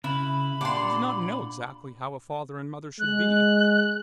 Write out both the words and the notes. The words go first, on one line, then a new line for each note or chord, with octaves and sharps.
He did not know exactly how a father and mother should be.
C#3 E4 B4 B5
A#2 D4 G4 D5 F#5 C6
G#3 F#6